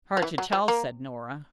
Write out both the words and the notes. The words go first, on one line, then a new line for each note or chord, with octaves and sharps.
"Hard to tell," said Nora.
F3
E3
F#3
F3
A#3